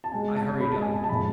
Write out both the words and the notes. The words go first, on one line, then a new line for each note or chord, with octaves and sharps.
I hurried up.
A5
B2 G#3 G#5
A5
B2 G#3 B5
A5
G#5
A5
A5
A2 F3 G#3 B5